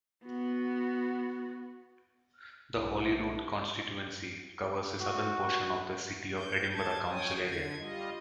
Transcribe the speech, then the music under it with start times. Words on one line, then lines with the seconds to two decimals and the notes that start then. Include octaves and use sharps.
The Holyrood constituency covers a southern portion of the City of Edinburgh council area.
0.24 B3 F#4
2.76 B1 B2 D4 E4 G4
5.00 F#4
6.35 G6
6.71 A5 G#6
7.09 C#5 G5 G#5 D#6
7.45 D3 G#6
7.77 G3 F4 D#5